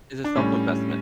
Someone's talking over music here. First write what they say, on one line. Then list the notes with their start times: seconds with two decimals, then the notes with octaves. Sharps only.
It's a self investment.
0.24 D4
0.36 A2 G3 C#4